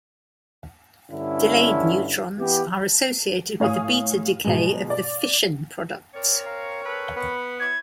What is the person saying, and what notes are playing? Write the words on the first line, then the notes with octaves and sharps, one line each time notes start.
Delayed neutrons are associated with the beta decay of the fission products.
G2 D3 C#4 E4
E3 B3 G4
A2 C#5 F5 G#5 D#6
B2 F3 F#3 G#3
D5
C4 A#4 C#5 D5
F5 A#5
A4 B4
B3 B4 F#5 B5
E4 B4 C#5 G#6